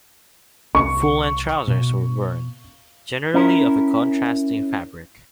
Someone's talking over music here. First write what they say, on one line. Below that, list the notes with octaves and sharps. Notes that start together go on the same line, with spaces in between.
Full-length trousers were worn, generally of a contrasting fabric.
C2 C#6
B2
C#4 E4 A#4